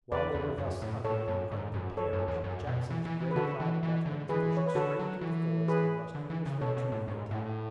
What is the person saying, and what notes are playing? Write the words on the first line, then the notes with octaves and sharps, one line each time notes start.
While they were thus utterly unprepared Jackson's gray-clad veterans pushed straight through the forest and rushed fiercely to the attack.
E2 B4 D5
E2
F#2
A2
A2 A4 C#5
F#2
G#2
F#2
A4 C#5
F#2
E2
F#2
B2
E3
E3
E3
B4
D3 F#4 A4
E3
E3
D3
E3 G#4 B4
C#5
B4
D3 F#4 A4
F#3
E3
G#4 B4
D3
E3
C#3
B2 A4 C#5
B2
A2
G#2
A2